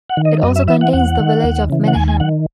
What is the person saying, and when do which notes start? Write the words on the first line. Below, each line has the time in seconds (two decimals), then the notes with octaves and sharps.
It also contains the village of Meneham.
0.10 F#5
0.17 D#3
0.25 D#5
0.43 F#2 D#5
0.56 E5
0.68 E3 E5
0.81 F#5
0.93 E2 F#5
1.20 D#3
1.44 D#2
1.70 C#3 E3
1.88 F#5
1.95 D#2 G#5
2.08 G#5
2.20 D#3 F#5